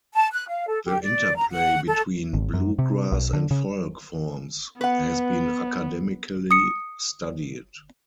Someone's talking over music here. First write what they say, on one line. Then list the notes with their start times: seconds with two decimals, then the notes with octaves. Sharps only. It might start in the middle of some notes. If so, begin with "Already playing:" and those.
The interplay between bluegrass and folk forms has been academically studied.
0.14 A5
0.33 F#6
0.48 F5
0.68 A4
0.85 G4
1.02 D5
1.36 A#5
1.50 F#5
1.87 A4
2.33 G#1
2.54 F#2
2.79 C3
3.12 B1
3.33 D3
3.51 C#3
4.81 B3 B4 F#5
6.51 D#6 C#7